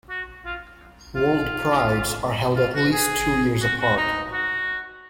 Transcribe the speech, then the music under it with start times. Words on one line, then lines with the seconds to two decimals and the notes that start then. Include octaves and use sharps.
WorldPrides are held at least two years apart.
0.10 F#4
0.45 F4
1.15 F4
2.56 F4
2.75 F#4
2.92 G#4
3.62 F#4
3.80 F#4
3.97 D#4
4.32 F#4